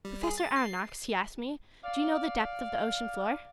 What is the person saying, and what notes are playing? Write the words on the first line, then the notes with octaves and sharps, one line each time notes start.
"Professor Aronnax," he asked me, "do you know the depth of the ocean floor?"
G3
G#4
A6
C7
D5 F5